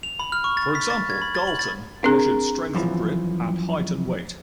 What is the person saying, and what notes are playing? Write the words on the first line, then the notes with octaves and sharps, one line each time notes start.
For example, Galton measured strength of grip and height and weight.
F7
B5
F6
C#6
A6
B6
A6
G#6
B5
A6
F#7
A6
C4 D4 G#4 A#4
F#2 E3 F3